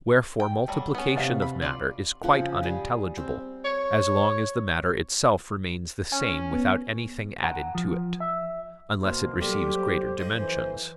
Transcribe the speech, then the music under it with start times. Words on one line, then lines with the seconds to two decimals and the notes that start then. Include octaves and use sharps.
Wherefore multiplication of matter is quite unintelligible, as long as the matter itself remains the same without anything added to it; unless it receives greater dimensions.
0.40 G5
0.68 F#3 G3 A3
0.95 B3 C#4
1.16 C3 F5 A6
1.42 B5
1.62 F4 D5
2.23 C#3 F3 F#5
2.63 G3 G#4
3.18 C4
3.65 C#5
6.12 C#4 G#5
6.53 B3
7.43 F#5 G5 A#5
7.75 F3
8.20 E5
9.04 B2 A#3 F#4 C5 C6
9.41 B1 G3 G4 A4 B5 C6
9.73 C5
10.20 F2 F3 D#5
10.36 E3 C5